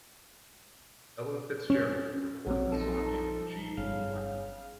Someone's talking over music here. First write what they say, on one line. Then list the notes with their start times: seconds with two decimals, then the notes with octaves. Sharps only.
Ella Fitzgerald recorded the song in G Minor.
1.70 C#4
2.46 A#1 F#3 C4
2.72 F3 D#4 A4
3.77 G1 C#3 F5